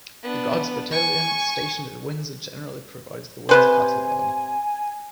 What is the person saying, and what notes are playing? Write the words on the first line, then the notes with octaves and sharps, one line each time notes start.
The Guards Battalion stationed at Windsor generally provides the Windsor Castle Guard.
B3 D4
G#5 C#6
C3 B4 C5 G#5